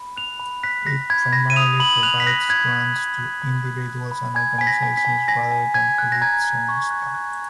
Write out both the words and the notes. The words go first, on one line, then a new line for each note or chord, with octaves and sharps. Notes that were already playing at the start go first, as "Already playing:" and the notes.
It primarily provides grants to individuals and organizations rather than through its own staff.
Already playing: B5
F#6 F7
B5
F#6 B6
F#6 A#6
B5 G#6
B5 A#6
D#7
D#6 F7
B5 F#7
F#6 F7
B6
F#6 A#6
F#6 G#6
F#6
B5
F#6
B5
F#6
F#6
B5
G#5 G#6
G#5 B6
A#6
G#5
B6
G#5
G#5 A#6
G#5
G#5 G#6
F#6
A#6
A#5 G#6
F#6
C#6
F#6
F#6